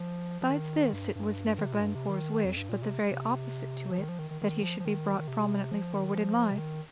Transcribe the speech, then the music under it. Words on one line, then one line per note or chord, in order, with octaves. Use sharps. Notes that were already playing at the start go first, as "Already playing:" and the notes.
Besides this, it was never Glencore's wish, but the very opposite to it, that he should be brought prominently forward in life.
Already playing: F3
F3
D#3
G2
G2
D#3
C3
A#2
G2
C3
D#3
F2
G2
A#2
C3
C3
F3
D#3
F3
D#3
D#3
D#3
F3
F3
D#3
D#3
C3
F3
D#3
F3
C3
D#3